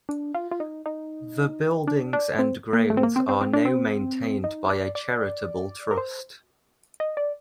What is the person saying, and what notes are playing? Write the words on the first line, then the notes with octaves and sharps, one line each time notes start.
The buildings and grounds are now maintained by a charitable trust.
D4
F4
F4
D#4
D#4
D4
D4
C4
A#3
A3
C4
A#3
C4
C4
C4
D4
C4
D#4
D5
D5
A#4
C5
D#5
D5